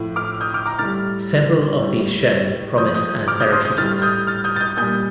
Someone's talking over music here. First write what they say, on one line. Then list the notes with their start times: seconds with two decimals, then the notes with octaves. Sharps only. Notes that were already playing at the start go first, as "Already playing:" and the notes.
Several of these show promise as therapeutics.
Already playing: A2 F3
0.16 D6 F6
0.41 D#6 G6
0.54 D6 F6
0.66 A#5 D6
0.79 A2 G3 F6 A6
1.79 A2 G3
2.78 A2 F3 D#6 G6
2.94 D#6 G6
3.28 D6 F6
3.40 D#6 G6
3.52 C6 D#6
3.65 D#6 G6
3.78 A2 G3 F6 A6
4.02 D#6 G6
4.27 F6 A6
4.44 D#6 G6
4.56 A6
4.60 D#6 G6
4.77 A#2 G3 D#6 G6